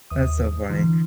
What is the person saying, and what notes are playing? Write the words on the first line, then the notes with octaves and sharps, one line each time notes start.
that's so funny.
D#2 D#6
D3 E3